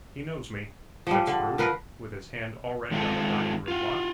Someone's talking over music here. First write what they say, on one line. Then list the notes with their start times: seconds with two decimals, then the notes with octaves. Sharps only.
He knows me,' said Scrooge, with his hand already on the dining-room lock.
1.07 F3 G3
1.27 D3
1.58 F3 A#4 B4
2.91 D#3 G#3 C4 E4 F4 A4
3.68 F4 F#4